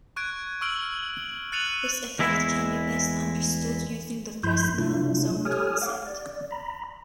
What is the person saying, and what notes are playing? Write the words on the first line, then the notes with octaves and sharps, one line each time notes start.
This effect can be best understood using the Fresnel zone concept.
C#6 F#6 G#6 D7
C#6 E6 F6 D7 F#7
F#6 A6 C#7 D#7 F7 F#7
E2 G#3 E4
G2 F3 E4 B5 C6 G6
C3 F#3 A3 D4 E4 F4
G4 A4 C#5 G#5 D#6 F6
F5 F#5 D6
D5
A#5 B5